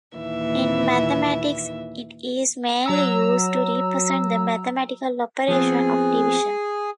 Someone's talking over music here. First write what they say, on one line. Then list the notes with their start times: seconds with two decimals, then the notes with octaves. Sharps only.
In mathematics it is mainly used to represent the mathematical operation of division.
0.17 D#2 A#2 E3 E5
2.86 F#3 A#5 E6
5.48 F3 B3 C4 G#4